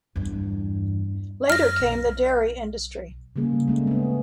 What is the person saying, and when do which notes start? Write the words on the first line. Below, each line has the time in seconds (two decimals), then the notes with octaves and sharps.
Later came the dairy industry.
0.16 E2 G2
1.50 F#2 F6 A#6
1.80 B1
3.36 C#3 G3 A#3 G#4
3.68 G#3 A3 C#4
3.87 B3 C#4